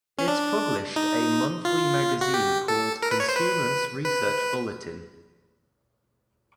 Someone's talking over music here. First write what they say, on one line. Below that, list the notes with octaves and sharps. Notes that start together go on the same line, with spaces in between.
It published a monthly magazine called "Consumers' Research Bulletin".
C#4
D4
D#4
F4
F#4
G4
A4
A#4
B4
C#5
C5
B4
B4